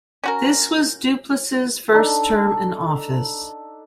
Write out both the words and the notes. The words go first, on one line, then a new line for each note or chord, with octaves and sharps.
This was Duplessis's first term in office.
C#4 F#4 A#4
D4 D#4 A4